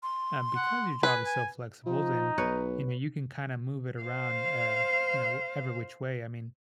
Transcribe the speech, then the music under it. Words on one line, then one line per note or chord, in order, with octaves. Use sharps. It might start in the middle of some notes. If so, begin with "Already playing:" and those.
uh, because your job is so flexible, then, you know, you can kinda move it around, eh, you know, w every which way. I mean,
C6
F#5
B4 G#5
G#5
F3 D#4
B1 B4 C#5
C5 F5